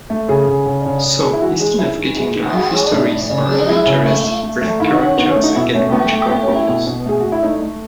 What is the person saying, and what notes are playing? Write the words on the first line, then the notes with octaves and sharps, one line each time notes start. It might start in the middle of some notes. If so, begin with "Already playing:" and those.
So instead of getting life histories or love interests, black characters get magical powers.
A3
C#3 G#4
C#3
C#3
C#3
C#3
G#3
E4
E3 F#4
G#3
G#3 E4
D#3
G#3
D#3
G#3 F#4
G#3
A2 D#4
A2
C#3
G#3
G#3 E4
C#3
A3
A3
A3
A3
D#3 E4
D#4
D#3
C#4
D#3 B3
C#4
A3
D#4
B2 E4
A3 C#4
A3 B3
A3
A3 B3
C#4
A3
E4
B2
B2
A3 G#4
A3 F#4
E4
A3 D#4
A3